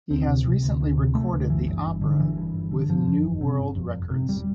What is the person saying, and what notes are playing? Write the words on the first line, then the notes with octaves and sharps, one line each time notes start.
He has recently recorded the opera with new world records.
D2 C4
C3
C3
D2
D2
C3
C3 A3
D2
G1 E3
G2
G1
D3
G1 E3
G2
G1
D3
G1 F3
F2
G1
C3
G1
F2
G1
C3
E1 G3